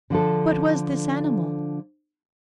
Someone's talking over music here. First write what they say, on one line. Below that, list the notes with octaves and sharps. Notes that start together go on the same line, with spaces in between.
What was this animal?
D3 F3 D4 A4